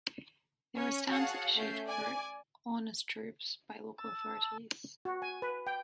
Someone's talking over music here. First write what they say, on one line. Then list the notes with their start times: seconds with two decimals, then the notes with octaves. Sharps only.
There were stamps issued for Aunus troops by local authorities.
0.74 C#4 C#5
1.10 F#4 G#4 C#5 F5 F#5 A5
1.55 A3 C#4 E5 G6 C7
1.85 D5 G#5 D6
3.98 A5 E6
5.05 F#4
5.22 G#5
5.42 B4
5.67 G5